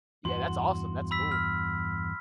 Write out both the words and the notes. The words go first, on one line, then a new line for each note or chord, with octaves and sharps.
Yeah, that's awesome. That's cool.
E2 G2 F#4 C6
B5 E6 B6
F6